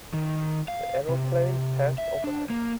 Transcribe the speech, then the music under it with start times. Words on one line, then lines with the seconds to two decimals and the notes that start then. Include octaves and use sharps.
The aeroplane passed overhead.
0.14 D#3
0.68 F5
1.09 C3
1.98 E5
2.24 D4
2.50 A#3